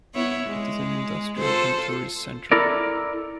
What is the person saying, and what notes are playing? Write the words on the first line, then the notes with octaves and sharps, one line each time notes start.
It is an industrial and tourist centre.
B3 E4 C#5
G#3
F4 A4 C5
E4 A4 A#4 D5